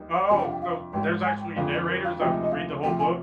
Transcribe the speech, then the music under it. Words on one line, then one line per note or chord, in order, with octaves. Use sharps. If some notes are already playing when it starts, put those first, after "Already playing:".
Oh, so there's actually narrators that will read the whole book?
Already playing: D#2 D#3 G3 A#3 D#4
F2 C3 G3 D4 G#5
G5
F5
G5
F5
G#1 G#2 G3 G5
G#5
G5
F2 D3 G#3 F5
D5
A#4
F5
D2 C3 F3 G#3 D#4 G5
D#5
F5
D2 C3 F3 G5
G#5